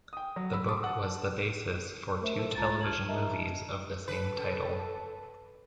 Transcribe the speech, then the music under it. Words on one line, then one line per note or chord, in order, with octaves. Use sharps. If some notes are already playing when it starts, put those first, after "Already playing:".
The book was the basis for two television movies of the same title.
G5 D#6
F#3
B5 E6
A5 C6 D6 D#6
F#5 A5
A3 A#4 C5 E5
A4
C#2 A5 A#5 A6
F6 G#6 F#7
A#4 D#5 E5 A5
A4 B4